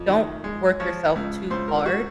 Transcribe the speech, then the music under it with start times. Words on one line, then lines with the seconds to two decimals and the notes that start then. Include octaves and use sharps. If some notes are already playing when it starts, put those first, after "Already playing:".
don't work yourself too hard
Already playing: F2
0.09 D#3
0.44 G#3
0.80 F3 C#5
1.15 C#2
1.50 C#2 C5
1.68 A#4
1.86 F#4